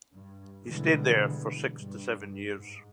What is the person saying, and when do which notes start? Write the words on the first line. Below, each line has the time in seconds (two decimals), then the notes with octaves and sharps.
He stayed there for six to seven years.
0.13 G2
0.65 B2 D3 E3 G3 G#3
1.78 G2
2.58 G#2